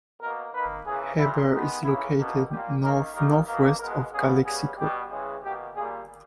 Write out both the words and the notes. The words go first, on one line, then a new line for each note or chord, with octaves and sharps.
Heber is located north-northwest of Calexico.
B2 A#3 A#4
D#3 A#3 B4
C#3 E3 A#3 G#4
A#2 G3 A#3 E4
D#3 G#3 B3 D#4
C#3 E3 A#3 E4
B2 A#3
A#2 A#3 G4
D#3 A#3 A#4
D#3 G3 A#3 A#4
B2 A#3
B2 G#3 B3 A#4
C#3 G3 B3 G#4
C#3 G3 B3 G#4
B2 G3 B3 G4
C#3 E3 G#3
B2 A#3 G4
A#2 G3 A#3 G#4